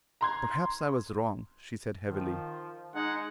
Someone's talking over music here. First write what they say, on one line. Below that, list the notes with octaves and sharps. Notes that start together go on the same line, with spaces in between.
"Perhaps I was wrong," she said heavily.
A#5 C6 G#6
D#3 F3
G#3 D#4 F#5